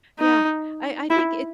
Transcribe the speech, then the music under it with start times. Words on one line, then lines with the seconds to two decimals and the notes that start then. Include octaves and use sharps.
yeah, I I think it's
0.19 D#4
1.10 E4